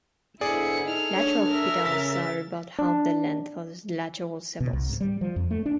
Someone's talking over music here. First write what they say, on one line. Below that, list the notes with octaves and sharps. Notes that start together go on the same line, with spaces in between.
Lateral petals are about half the length of the lateral sepals.
G#2 D3 B3 E4 G#4 D5 C#7
D#4 A4 F6
D4 C#5
A#4 E5
C#3 A6 B6
D4
B2
C2
G#2
G3
F3
F2
A3
D4